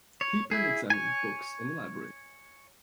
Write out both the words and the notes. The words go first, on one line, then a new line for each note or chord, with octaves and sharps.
People examine books in a library.
C#5
E4 G#4
C#5 G#5